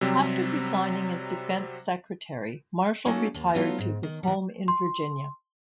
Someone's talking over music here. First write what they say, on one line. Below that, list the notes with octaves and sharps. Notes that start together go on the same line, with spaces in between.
After resigning as Defense Secretary, Marshall retired to his home in Virginia.
C3 F#3 G3 C4
F#3 A#3 C#4 D#4 F#4 A4
D#2
F#3 A3 B3 D#4 F4
G#2
D#3
E3 G3
C6